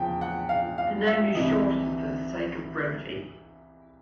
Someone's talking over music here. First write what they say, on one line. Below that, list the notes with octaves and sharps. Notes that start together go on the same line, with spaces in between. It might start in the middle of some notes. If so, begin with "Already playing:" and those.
The name is shortened for the sake of brevity.
Already playing: E2 C#3 F3 G5
F#5
F5
F5
E5
C2 C3 E3 D#5